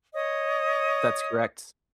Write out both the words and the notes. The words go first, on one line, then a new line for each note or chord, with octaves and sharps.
That's correct.
C#5 D#5 D#6